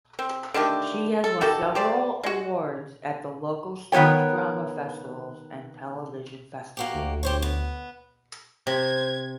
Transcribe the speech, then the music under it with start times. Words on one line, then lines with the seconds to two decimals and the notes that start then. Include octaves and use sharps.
She has won several awards at the local stage drama festivals and television festivals.
0.19 C4
0.54 D3 D#3 A3 G4
1.24 A4
1.41 D#3 F#4 G4 A4
1.75 G4 C5 D5
2.23 G#3 F#4
3.92 D#3 B3 D#4 C#5 G5
6.77 A#3 F#4 G4
6.94 D2
7.23 G4 C5 C#5
7.42 B3
8.67 C3 C5 G#6